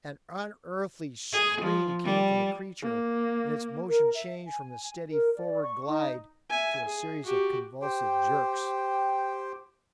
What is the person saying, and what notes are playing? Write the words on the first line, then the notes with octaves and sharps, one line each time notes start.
An unearthly scream came from the creature, and its motion changed from a steady forward glide to a series of convulsive jerks.
G#4
F3
G3
A#3
A#4
E5
G#5
A#4
D5
C#6
D#4
E5 G#5
G#4
F#4 G4
G4 C5 G5